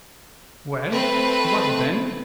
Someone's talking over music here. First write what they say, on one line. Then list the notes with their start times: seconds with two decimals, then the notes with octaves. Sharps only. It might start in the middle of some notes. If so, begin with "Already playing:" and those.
"Well, what then?"
0.89 A3 C4 B4